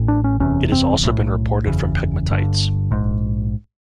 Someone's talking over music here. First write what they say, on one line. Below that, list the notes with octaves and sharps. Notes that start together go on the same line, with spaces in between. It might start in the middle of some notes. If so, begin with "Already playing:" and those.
It has also been reported from pegmatites.
Already playing: A1 A2
D4
C#4
F#1 E2 C3 C#4
C4
B1 A2
F#1 E2 C#3
G1 G2 D3
A#1 G#2